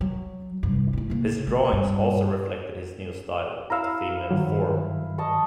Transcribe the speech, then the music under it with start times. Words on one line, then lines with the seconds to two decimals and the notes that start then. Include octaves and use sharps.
His drawings also reflected his new style of the female form.
0.01 F#3
0.63 F1 G2
0.93 A3 E4
1.10 C#3 A#3
1.47 D#3 G#3
1.73 G2
3.70 E4 F5 A#5 E6
4.31 G2 D#3 F#3
5.18 D#5 A5 C#6